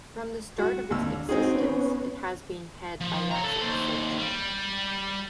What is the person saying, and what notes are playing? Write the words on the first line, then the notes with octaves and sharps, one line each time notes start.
From the start of its existence it has been head by Jacek Socha.
G3 F#4
D#2 D3 E6
C4 D#4 F#4 G#4
B3 C#4
F3
C#5 A#5
C#3 A4
D#2 C5
G3